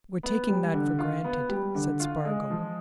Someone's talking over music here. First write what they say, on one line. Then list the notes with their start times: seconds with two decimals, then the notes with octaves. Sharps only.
"We're taking that for granted," said Spargo.
0.23 B3
0.49 G3
0.74 D3
0.99 F4
1.24 B3
1.49 G3
1.75 D3
2.00 F4
2.25 G#3
2.50 F3